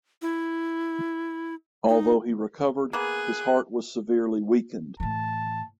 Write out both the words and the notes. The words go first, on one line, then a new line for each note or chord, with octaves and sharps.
Although he recovered his heart was severely weakened.
E4
D#4
A#3 B3 G#4 F#6
A2 E3 A5